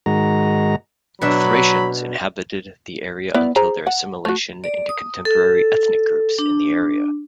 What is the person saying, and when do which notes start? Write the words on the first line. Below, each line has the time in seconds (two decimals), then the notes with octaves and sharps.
Thracians inhabited the area until their assimilation into contemporary ethnic groups in the area.
0.06 G#2 D#3 G#3 F#4 A#5
1.22 B2 F#3 D4 E5 B5
3.34 B3 E4 D5
3.56 G#4 C5 A#5
3.87 F#5
4.25 A3 F#4
4.64 D5
4.89 D#6
5.25 A4
6.39 D4